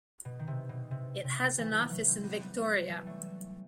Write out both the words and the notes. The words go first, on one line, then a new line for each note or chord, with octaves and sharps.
It has an office in Victoria.
B2
D#3
C3
B2
C3
C3
C3 E3
D#3 F#3
F#3 A3
A3 C4
G3 B3
C4
G3 B3
F#3 A3
E3 G3
F#3 A3